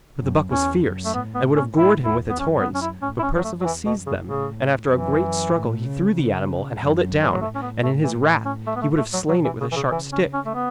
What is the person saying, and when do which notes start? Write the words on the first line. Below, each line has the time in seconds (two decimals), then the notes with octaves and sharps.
But the buck was fierce, and would have gored him with its horns, but Perceval seized them, and after a great struggle he threw the animal, and held it down, and in his wrath he would have slain it with a sharp stick.
0.20 F#2
0.51 E2 C#4
0.83 F#2
1.05 A3
1.14 A2 B3
1.35 B3
1.56 C#4
1.77 A2 E4
2.05 E2 E4
2.29 B3
2.39 F#2 C#4
2.61 B3
2.75 C#4
2.82 E4
3.02 A2 C#4
3.19 E4
3.23 C#4
3.34 F#2 F#3
3.44 A3
3.61 F#3
3.65 E2 E3
3.86 B2
3.96 F#2
4.06 C#3
4.27 A2 C#3
4.90 F#2 E3
5.53 A2
5.85 C#3
6.15 C#3
6.79 F#2
7.22 E3
7.31 F#3
7.41 A2 A3
7.55 C#4
7.62 B3
7.83 A3
8.04 E3
8.25 A3
8.45 C#4
8.67 A3
8.76 B3
8.82 A3
8.98 A3
9.14 F#3
9.29 B2 F#3
9.45 E3
9.61 C#3
9.72 E3
9.76 C#3
9.91 C#3 E3
10.12 C#4
10.33 C#4
10.46 A3
10.54 B3